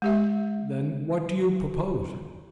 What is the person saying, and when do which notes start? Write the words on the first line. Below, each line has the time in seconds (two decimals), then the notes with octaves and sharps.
"Then what do you propose?"
0.02 G#3 G4 E5